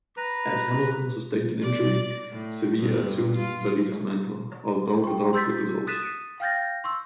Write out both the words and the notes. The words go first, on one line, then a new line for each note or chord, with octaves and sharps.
As Hamilton sustained an injury, Sevilla assumed the leader's mantle, although without good results.
B4 A#5
D5
A2
G2
F4
G5 C#6
C6 E6 G6 A6 B6
D#6 F#6 A6 B6 D#7 E7
F5 G5 F6 G6 A6 A#6
C6 C#6 E6